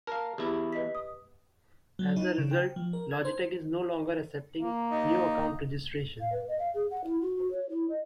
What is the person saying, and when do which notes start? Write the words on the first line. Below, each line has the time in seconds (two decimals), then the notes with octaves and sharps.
As a result, Logitech is no longer accepting new account registrations.
0.07 A#4 F5 A5
0.38 E2 E4 G4
0.73 B4 D#5 B6
0.95 D#6
1.99 F#3
2.16 D#4
2.38 C#3
2.51 G5
2.76 F3
2.93 A#4
3.11 G#6
3.25 C5
4.60 A#3
4.91 D#4 D#5
6.20 F5
6.32 B4
6.48 D#5
6.59 F5
6.74 G#4
6.90 F#5
7.04 E4
7.21 F#4
7.35 F#4
7.51 C#5
7.69 E4
7.89 D#5